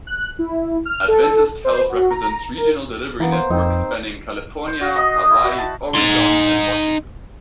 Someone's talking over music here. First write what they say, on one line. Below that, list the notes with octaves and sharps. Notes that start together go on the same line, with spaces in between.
Adventist Health represents regional delivery networks spanning California, Hawaii, Oregon and Washington.
F#6
E4
F6
A4
C5
F#4
A#5
A#4
E3 A#3 B3
C5
F2 C4 D#4
C5
F#4
D#5
D#6
E4
F#4
A5
D#4 C6